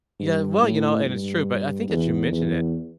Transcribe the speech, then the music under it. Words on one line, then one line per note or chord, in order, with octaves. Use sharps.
yeah, well, you know, and it's true, but I think that you mentioned it.
G2
A2
G2
E2
E2